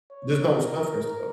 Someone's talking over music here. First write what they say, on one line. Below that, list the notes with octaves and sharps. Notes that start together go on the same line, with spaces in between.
just don't stuff yourself,
C#5
A#4